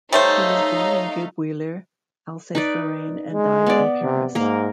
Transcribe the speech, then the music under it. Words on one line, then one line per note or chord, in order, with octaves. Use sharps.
He was born in Guebwiller, Alsace-Lorraine, and died in Paris.
G3 A3 D#4 C5 C#5 F5
D#4 B4 D5
G#3
B3 D5
C3
G#2 A#3 A#4